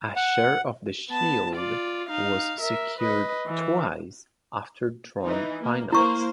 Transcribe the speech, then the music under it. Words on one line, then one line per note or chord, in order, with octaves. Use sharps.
A share of the shield was secured twice after drawn finals.
F#5
B3 A5
F4 D5
D#4 F5
A#4 E5
B4 D#5
E3
E3 D#4
A#3
A#3 E4 C5 C#6